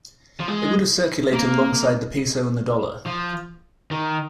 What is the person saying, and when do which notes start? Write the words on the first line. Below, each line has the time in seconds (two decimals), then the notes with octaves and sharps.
It would have circulated alongside the peso and the dollar.
0.40 F3
0.48 G#3
1.33 A#3
3.06 F3
3.91 D#3